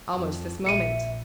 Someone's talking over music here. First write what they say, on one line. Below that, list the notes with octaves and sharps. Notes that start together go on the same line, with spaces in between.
"Almost this moment."
F2
A#1 E5 C#7 D#7